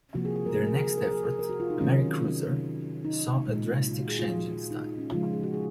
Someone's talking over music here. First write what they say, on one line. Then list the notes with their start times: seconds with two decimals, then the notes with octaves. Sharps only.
Their next effort, "Americruiser", saw a drastic change in style.
0.15 C3 F3 A#3 F#4
0.25 G#4
0.36 G#4
0.46 A#4
0.56 G#4
0.67 A#4
0.77 G#4
0.87 G#4
0.98 A#4
1.11 G#4
1.25 G#4
1.39 A#4
1.49 F#4
1.60 F4
1.70 D#4
1.81 C3 D#3 F#3 C#4
3.05 D#4
3.47 A#2 G#3
3.88 F4
3.98 F#4
4.08 G#4
4.19 F4
4.71 D#4
4.85 D#4
4.98 C#4
5.12 C#3 F3 G#3 F4
5.33 G#4
5.43 F#4
5.54 G#4